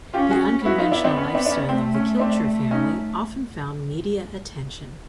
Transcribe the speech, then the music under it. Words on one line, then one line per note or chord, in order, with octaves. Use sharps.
The unconventional lifestyle of the Kilcher family often found media attention.
C#4 F4 G4
F#4 G#4
B3 E4 F#4
D#4 F4
D4 E4
C4 D4
C#4
C4 D4
D4
C#4
A3 C4
C#4
C4 D4
C#4 D#4